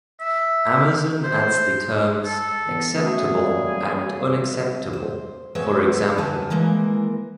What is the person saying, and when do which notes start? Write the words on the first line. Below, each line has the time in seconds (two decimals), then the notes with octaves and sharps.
Amazon adds the terms "acceptable" and "unacceptable", for example.
0.20 E5
1.24 C5
2.25 A4
2.66 E3 B3
2.96 A3 C#4 F#4 G#4
3.29 F#3 G3 A#3
4.93 C5
5.55 B2 G#3 B3 C4 C#5 E5
6.18 D3 F#3 A#4 B4 G#5 A5
6.50 D#3 E3 G#3 A#3 A#4